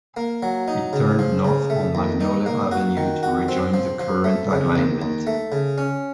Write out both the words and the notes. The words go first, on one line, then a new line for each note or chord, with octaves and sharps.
It turned north on Magnolia Avenue to rejoin the current alignment.
A#3
F#3
D#4
C#3
F3
C#3
A3
D#2
D#4
A#3
F#4
D#3
F#4
C4
F3
F3
A3
C#3
D#2
D#2
A3
C#3
C#4